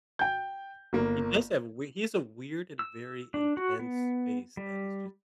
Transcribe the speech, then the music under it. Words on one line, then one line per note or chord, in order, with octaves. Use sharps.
He does have we he has a weird and very intense face that is just
G5 G6
G1 A#3
E6
D4
F#4
B3
G3